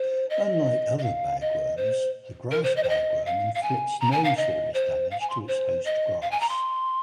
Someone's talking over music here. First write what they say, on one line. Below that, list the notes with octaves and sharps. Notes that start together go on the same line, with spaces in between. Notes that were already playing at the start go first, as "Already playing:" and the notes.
Unlike other bagworms, the grass bagworm inflicts no serious damage to its host grass.
Already playing: C5
D#5
D#5
F5
D#5
C5
A#4
C5
D#5
C5
D#5
F5
F5
G#5
A#5
G#5
F5
D#5
C5
F5
G#5
C6
C5
D#5
F5
G#5
A#5
C6